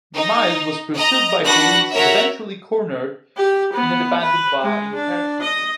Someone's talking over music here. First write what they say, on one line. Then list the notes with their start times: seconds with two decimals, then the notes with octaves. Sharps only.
Myers was pursued by police and eventually cornered in an abandoned bar in Herkimer.
0.14 D#4
0.97 D#5 A#5
1.44 D4 F#4 B4 F#6 A#6
1.93 F#4 A#4 C#5 E5
3.37 G4
3.73 B3
4.22 B4
4.62 G#3
4.95 D4
5.42 D#5